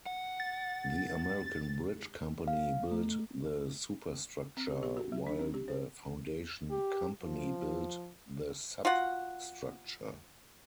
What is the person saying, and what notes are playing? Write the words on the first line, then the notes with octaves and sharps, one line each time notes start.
The American Bridge Company built the superstructure; while the Foundation Company built the substructure.
F#5
A6
F5
A3
C4
G4
G4
F#4
F#3
D4
C4
G4
C5
G4
F3
F4 F#4 F#5